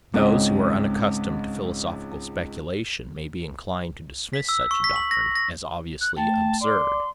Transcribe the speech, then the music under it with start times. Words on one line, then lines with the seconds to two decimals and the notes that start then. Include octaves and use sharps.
Those who are unaccustomed to philosophical speculation may be inclined to dismiss such a doctrine as obviously absurd.
0.14 C#2 G#2 C#3 C4 D#5
4.33 B6
4.49 E6
4.71 C#6
4.84 B6
4.96 F#7
5.11 A#6
5.36 A#6
6.01 F#6
6.17 A3 G5 A5
6.61 D5 C6 D6